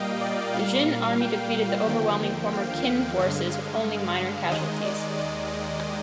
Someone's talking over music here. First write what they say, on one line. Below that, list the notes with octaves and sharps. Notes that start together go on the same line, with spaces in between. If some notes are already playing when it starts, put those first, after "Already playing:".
The Jin army defeated the overwhelming Former Qin forces, with only minor casualties.
Already playing: A#2 G3 A#3 D#5 F5 G5
D5
A#2 G3 A#3 F5
G5
D#2 D3 F3 A#3 G5
F5
G2 D3 G#3
D#2 D#3 G#3 D#5
D5
D5